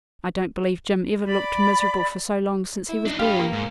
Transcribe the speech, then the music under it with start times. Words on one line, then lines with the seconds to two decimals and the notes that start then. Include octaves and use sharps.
I don't believe Jim ever looked miserable for so long since he was born.
1.26 D5 B5
2.89 E4
3.06 D4 D#4
3.19 G4 B4 F5
3.39 A#3
3.53 G#2